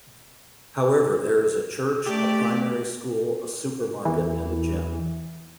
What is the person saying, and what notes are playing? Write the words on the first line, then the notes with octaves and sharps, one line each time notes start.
However there is a church, a primary school, a super market and a gym.
A3 G4 D5
E2 E3